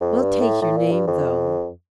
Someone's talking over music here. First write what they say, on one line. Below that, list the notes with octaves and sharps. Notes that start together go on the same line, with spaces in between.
"We'll take your name, though."
F2
G2
A2
A2
A#2
G2
F2